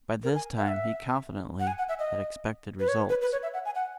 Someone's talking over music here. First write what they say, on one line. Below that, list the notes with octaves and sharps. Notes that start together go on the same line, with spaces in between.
By this time he confidently had expected results.
A#4
G#5
E5
F#5
E5
F#5
G#5
F#5
E5
D#5
B4
C#5
B4
B4
C#5
E5
F#5
G#5
F#5